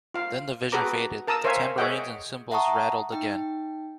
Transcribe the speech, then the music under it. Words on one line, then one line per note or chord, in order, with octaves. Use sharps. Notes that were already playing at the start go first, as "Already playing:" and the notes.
Then the vision faded, the tambourines and cymbals rattled again.
F4 F5
F#4 G#4 A4 B4 A#5 D6
A#4 A5 A#5 D#6 E6
A#4 C5 C#5 E5 F5 G#5
G#4 C#5 D#5 E5 F#5 G5
E5 F#5 A5 A#5 C#6 D#6
D#4 G5